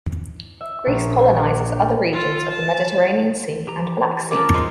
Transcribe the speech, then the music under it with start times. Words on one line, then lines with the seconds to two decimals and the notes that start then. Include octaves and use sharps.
Greece colonizes other regions of the Mediterranean Sea and Black Sea.
0.61 E5
0.87 A#1
1.39 D4
1.76 G4
2.13 F4 A4
2.48 A5
3.67 E3 G4 A#5
4.31 A3 C#4 F4 A#4 D6
4.54 F#3 G#3 F4 C5 C6